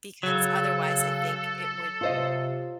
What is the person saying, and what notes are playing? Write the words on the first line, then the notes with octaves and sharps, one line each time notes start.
because, otherwise, I think it would
C#3 F#3 A4
C3 F4 C5 D#5